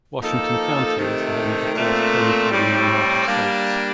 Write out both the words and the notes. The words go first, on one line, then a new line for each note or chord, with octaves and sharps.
Washington County is the home of the first crematory in the United States.
F3 A#3 D#4 A4
C3 D#3 A3
A#2 A3 C4
A2 G3 C4
G3 A#3 D4